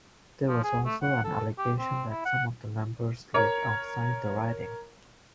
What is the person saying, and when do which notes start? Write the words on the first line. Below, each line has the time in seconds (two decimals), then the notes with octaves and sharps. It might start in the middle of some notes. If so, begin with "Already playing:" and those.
There was also an allegation that some of the members lived outside the riding.
0.48 F3
0.63 G#4
0.85 A3
1.02 F#5
1.24 A4
1.58 G4
1.79 C4
2.10 E4
2.25 F#5
3.34 A#4 C#5